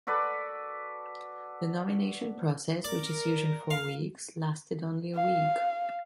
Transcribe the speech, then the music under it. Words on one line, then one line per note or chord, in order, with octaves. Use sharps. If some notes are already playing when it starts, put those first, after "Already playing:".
The nomination process, which is usually four weeks, lasted only a week.
F#4 A4 B4 D5
A#4 D5
F5
F5